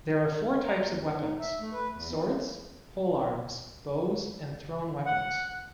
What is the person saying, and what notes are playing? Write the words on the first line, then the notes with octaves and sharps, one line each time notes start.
There are four types of weapons: swords, polearms, bows, and thrown weapons.
A#5
D#2
F#2
D4
D#4
E5
A3
B4
E2
E3
C#3
F#5